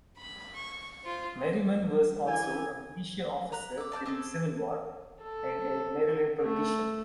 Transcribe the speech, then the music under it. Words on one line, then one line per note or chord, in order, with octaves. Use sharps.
Merryman was also a militia officer during the Civil War, and a Maryland politician.
B5
C#6
F4 C5
E3 E4 G4 G#5
A#5 B5 F#6
E5 D6
D5 A5 F6 G6
C4 G#4 A4
A4
A3